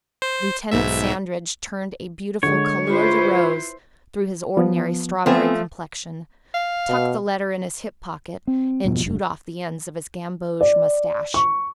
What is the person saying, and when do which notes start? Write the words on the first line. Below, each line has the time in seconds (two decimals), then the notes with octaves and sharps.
Lieutenant Sandridge turned a beautiful /couleur de rose/ through his ordinary strawberry complexion, tucked the letter in his hip pocket, and chewed off the ends of his gamboge moustache.
0.22 C5
0.72 B1 G#2 E5
2.43 D3 G#3 C#5
2.88 E4 F4 B4 C5 B5
4.57 F3 B3
5.26 F3 A3 B3 C4 G#5
6.54 F5
6.89 B2
8.47 C4
8.84 E2 G2 B2 F3
9.04 F1 G2
10.61 D5
11.34 C#6